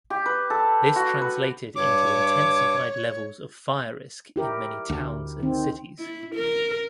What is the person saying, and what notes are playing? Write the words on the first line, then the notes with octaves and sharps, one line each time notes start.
This translated into intensified levels of fire risk in many towns and cities.
G4
B4
A4
F#4
B4
G2 C#5 D6
E4 G4 A#4
D2
D#3 C4
E4
A#4